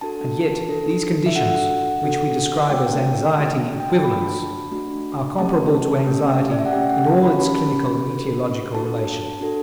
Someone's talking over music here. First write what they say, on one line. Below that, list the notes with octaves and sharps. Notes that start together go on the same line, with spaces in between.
And yet these conditions, which we describe as "anxiety equivalents," are comparable to anxiety in all its clinical and etiological relations.
D4 F#4 A4 A5
D4 F#4 A4
E5
D4 F#4 A4 F#5
D4 F#4 A4
A3 D4 F#4 G5
A3 D4 F#4
G5
A5
A3 D4 F#4 B5
A3 D4 F#4
A3 C#4 G4 A5
A3 C#4 G4
D5
E5
F#5
A3 C#4 G4 G5
F#5
A5
B5
A3 C#4 G4 B5
D4 F#4 A4
D4 F#4 A4 A5
D4 F#4 A4